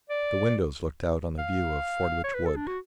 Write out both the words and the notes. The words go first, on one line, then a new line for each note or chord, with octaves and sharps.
The windows looked out on a view of Fordwitch Wood.
D5
F5
C#5
B4
A4
D4
F#4